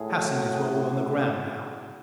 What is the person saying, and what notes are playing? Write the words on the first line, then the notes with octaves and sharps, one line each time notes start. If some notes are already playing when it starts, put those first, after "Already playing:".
The passengers were all on the ground now.
Already playing: A2 G#4
F#4
F#4
G#4